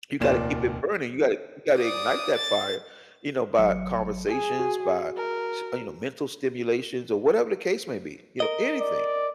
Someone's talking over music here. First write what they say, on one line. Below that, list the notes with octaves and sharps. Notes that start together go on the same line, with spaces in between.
You gotta keep it burning. You gotta you gotta ignite that fire, you know, by conversations, by sh you know, mental stimulations or whatever the case may be, you know, anything.
F1 D#2 A#2 D5 E7
D5 D#6
A6
G#1 F#3 C#7
G#4
F#4
A#4
A#4 D#5
D5